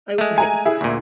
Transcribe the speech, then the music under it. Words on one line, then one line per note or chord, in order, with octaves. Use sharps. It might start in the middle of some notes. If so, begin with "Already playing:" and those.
I also hate this guy.
G#3 A3
G#5 A#5
E4 G#4
D2 A#2